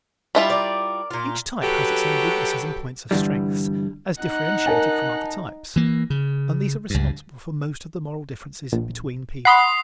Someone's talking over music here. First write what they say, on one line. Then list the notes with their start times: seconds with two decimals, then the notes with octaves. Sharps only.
Each type has its own weaknesses and points of strength as differentiated from other types and these are responsible for most of the moral differences between people.
0.35 G3 E4 F4
0.50 A#4 D5
1.11 A#2 F4
1.63 F#3 F#4 G4 A4 B4
3.11 G2 A#2 D3 E3 G3
4.22 D#4 F#5 F#6
4.66 A#4 G#5 A5
5.76 E3 A#3
6.10 C#3
6.90 C#2 G2
8.72 A#1
9.45 F#5 B5 C6 D#6 C7